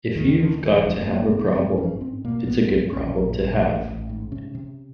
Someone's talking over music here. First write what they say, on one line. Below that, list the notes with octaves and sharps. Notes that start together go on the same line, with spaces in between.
If you've got to have a problem, it's a good problem to have.
D#2 D#3
D3 D#3
D#3
E1 E3
F2 F3
A3
G1 A#3
C3 B3
G#1 C4
D4
G#2 C#4
G#2 C4
B2 A#3
B1 B3
B1 C4
A#1 C#4
A#1
A#1
A1
A1
G#2
C3 C#4
C3